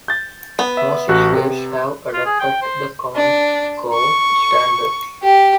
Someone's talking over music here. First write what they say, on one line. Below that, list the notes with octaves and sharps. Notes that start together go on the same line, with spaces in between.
Most states have adopted the Common Core standards.
G6 A6
B3
E5
A1 F#4 F#6
C3
F4
G#4
G5
C5
D4
C#6
G4